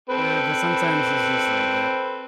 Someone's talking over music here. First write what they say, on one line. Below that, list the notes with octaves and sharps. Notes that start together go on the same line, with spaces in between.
Yeah, but sometimes it's just like that.
C4 A4 B4